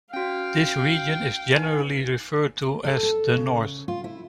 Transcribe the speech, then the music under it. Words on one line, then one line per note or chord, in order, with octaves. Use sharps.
This region is generally referred to as "The North".
C#4 F#4 F5 G5
D#4 B4 G#5
A4
A4
C#3
F4
E4